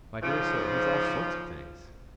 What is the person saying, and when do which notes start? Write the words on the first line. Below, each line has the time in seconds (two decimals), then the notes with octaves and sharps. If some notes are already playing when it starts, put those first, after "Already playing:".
'My dear sir, he's all sorts of things.'
0.22 G#2 C#3 F3